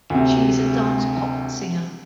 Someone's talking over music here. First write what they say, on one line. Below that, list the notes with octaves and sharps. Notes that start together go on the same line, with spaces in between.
She is a dance-pop singer.
D2 C3